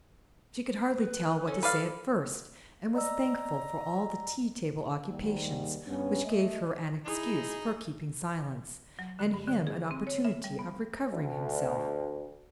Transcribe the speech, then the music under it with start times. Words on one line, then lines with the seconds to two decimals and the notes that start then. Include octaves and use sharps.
She could hardly tell what to say at first, and was thankful for all the tea-table occupations, which gave her an excuse for keeping silence, and him an opportunity of recovering himself.
1.00 B4
1.47 C#4 A4
1.63 B4 D5 F5
2.95 D5 D#5 A#5 E6
5.08 D#2 G#2 D#3 G3
5.86 G2 B3 C#4
6.25 A3 D#5 E5
7.05 D#4 E4 G#4
8.99 F#3
9.19 D3
9.34 G2
9.47 D3
9.67 G#4
9.91 C4
10.07 C#5
10.25 E5
10.44 G3
10.59 B3
11.12 D2